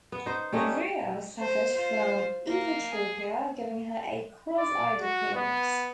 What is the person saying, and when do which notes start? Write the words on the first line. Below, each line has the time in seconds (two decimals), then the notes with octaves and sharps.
Maria suffered from Esotropia giving her a "cross-eyed" appearance.
0.12 B3
0.26 D#4 C5
0.52 G3 A3 C#4 D#4
1.39 C5
1.73 F4 C5
2.47 A#3
2.91 G#4
4.58 D5
5.00 F#4
5.34 B3